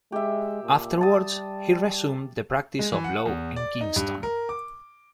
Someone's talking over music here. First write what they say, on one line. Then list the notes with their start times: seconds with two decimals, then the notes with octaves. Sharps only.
Afterwards he resumed the practice of law in Kingston.
0.12 G#3 G4 E5
0.63 A#2
1.01 G3 A5 D#6
2.79 G#3
2.92 E3
3.04 F#5
3.26 E2
3.56 D5
3.81 D#4
3.96 G2
4.23 A#4
4.49 D6